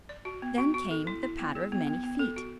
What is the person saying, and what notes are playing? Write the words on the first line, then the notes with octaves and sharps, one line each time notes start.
Then came the patter of many feet.
D5
F#4
B3
F#4
F#4
A4
E4
E4
B3
G#4
B3
B3
B3
A4
F#4